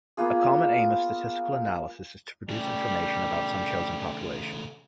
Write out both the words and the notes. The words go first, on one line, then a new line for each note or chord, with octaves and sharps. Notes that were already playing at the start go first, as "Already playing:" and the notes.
A common aim of statistical analysis is to produce information about some chosen population.
A#3 B3 F4 G#4
C#3 G3 A3